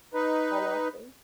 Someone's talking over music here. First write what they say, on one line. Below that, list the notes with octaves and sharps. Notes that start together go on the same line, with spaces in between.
while watching.
D#4 B4